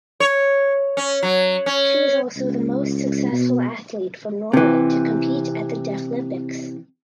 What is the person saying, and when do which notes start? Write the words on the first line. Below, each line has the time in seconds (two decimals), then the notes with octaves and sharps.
She is also the most successful athlete from Norway to compete at the Deaflympics.
0.20 C#5
0.97 C#4
1.23 F#3
1.66 C#4
2.36 C#2
3.32 B2
4.53 C3 E3